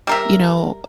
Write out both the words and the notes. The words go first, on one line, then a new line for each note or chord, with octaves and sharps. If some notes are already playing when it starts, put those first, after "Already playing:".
you know, uh uh
G3 A#4 E5